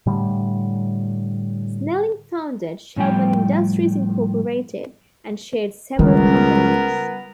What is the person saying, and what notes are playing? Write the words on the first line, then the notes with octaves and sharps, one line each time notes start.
Snelling founded Shelburne Industries, Incorporated and chaired several companies.
A2 D3 G3
F2 A2 F3 G3 G5
C#2 D#3 G3 B3 A#4